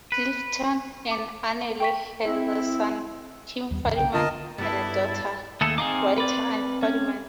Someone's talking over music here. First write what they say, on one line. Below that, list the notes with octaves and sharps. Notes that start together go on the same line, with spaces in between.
Clifton and Annalee had a son, Kim Fadiman, and a daughter, writer Anne Fadiman.
B4
D6
G5 C#6 B6
C4 E4
D#2 G3
C2 F#2 D#3
B1 C#3 G5
D3 B3 D4 F4 A#4 D#5 A5
G2 G3 B3 E4 A4 A5
D#2 A3 G#4 A4
C4 D#4 G#4 F5 D6
B4 D5
C#4